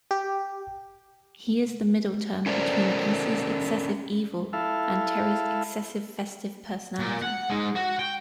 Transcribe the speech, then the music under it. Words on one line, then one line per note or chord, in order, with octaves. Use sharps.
He is the middle term between Geese's excessive evil and Terry's excessive festive personality.
G4
C#4 A4 A#4 C5 D5
E4 A4 F5
A#2
F#5
G#3 D#4
F#4
G5